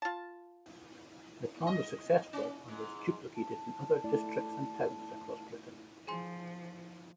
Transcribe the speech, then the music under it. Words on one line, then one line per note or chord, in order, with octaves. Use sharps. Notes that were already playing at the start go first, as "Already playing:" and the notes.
The plan was successful and was duplicated in other districts and towns across Britain.
F4 A5
D#5
C#4
G#2
A5
A3 E4 D5
F3 G#4 G#5 C6